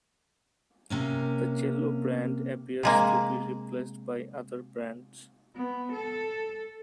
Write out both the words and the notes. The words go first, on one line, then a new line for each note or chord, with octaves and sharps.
The chello brand appears to be replaced by other brands.
C3 A#3 C#4
C3 G#3 A#3
B3
A4